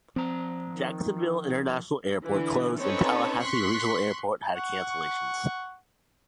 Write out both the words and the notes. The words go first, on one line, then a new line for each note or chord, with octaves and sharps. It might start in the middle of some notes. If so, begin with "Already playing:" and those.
Jacksonville International Airport closed and Tallahassee Regional Airport had cancellations.
F3 C4 A#5
D#3
D3 E3
C4 C#4 D#4 A4 B4 C#5
C6 C#6 F#6 B6
F#5 C#6